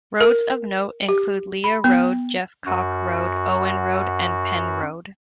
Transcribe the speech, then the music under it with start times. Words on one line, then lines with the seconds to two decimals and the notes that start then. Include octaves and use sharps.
Roads of note include Lea Road, Jeffcock Road, Owen Road and Penn Road.
0.21 A#4
1.09 G4
1.64 B5
1.84 B3
2.66 F#2 F#4